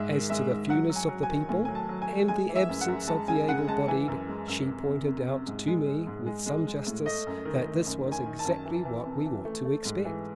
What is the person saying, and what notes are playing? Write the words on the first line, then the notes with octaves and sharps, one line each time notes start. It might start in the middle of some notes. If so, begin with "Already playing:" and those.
As to the fewness of the people, and the absence of the able-bodied, she pointed out to me with some justice that this was exactly what we ought to expect.
Already playing: G#2 G#3 E5
D#3
G#3 E5
G#2
F#3 F#5
F#3
G#5
F#3
G#5
D#3
A2 G#5
F#3 G#5
A5
F#3
G#5
A3
G#3 G#5
E3
E5
F#2
F#5
F#2
G#3 A5
C#3 G#5
C#3 F#5
G#3 A5
E3 G#5
F#2
G#3
F#2
C3
C3
C3
C3
G#2
G#3
G#3
G#2
G#3
G#3
G#3
A2
A3 D#5
F#2
D#3
D#3
F#2
D#3
G#5
D#3
A5
F#2
E3
E3
C3
E3
A3
A3
G#2
E3